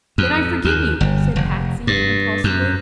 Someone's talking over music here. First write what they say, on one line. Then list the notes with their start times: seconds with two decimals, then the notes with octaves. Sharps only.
"Then I forgive you!" said Patsy, impulsively.
0.18 F2
0.65 D#2
1.01 G1
1.36 F1
1.87 G2
2.44 F#2